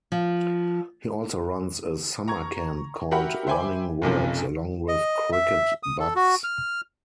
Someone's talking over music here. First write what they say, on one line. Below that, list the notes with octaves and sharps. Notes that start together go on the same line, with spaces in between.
He also runs a summer camp called Running Works, along with Cricket Batz.
F3
A#5 C#6 G#6
F#4 G4 A#4 E5 F#5 B5
C5 E5 G5 G#5 B5 D6
F#1 B1 C3 F3
D#5
E5
D#6
A4
F#4
F6